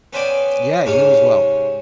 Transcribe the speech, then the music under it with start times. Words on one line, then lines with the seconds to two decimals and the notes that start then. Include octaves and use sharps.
Yeah, you as well.
0.13 B3 C#4 C5 D5 G5 G#5
0.86 G#2 C3 C#4 C#5 F5